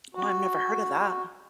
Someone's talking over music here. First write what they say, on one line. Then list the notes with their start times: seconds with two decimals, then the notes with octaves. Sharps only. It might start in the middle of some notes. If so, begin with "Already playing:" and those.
Oh, I've never heard of that.
0.15 F#4